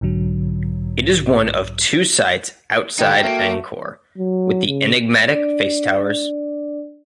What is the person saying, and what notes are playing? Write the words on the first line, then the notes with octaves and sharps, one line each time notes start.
It is one of two sites outside Angkor with the enigmatic face-towers.
B1 G#2 D3 F#3
D3 D#4 G4 G5
A3 A#3 F#4
F#3
C#3
D4 D5